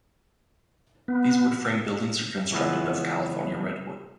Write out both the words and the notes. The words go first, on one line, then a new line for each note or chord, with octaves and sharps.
These wood frame buildings are constructed of California redwood.
B3
C#2 E3 B3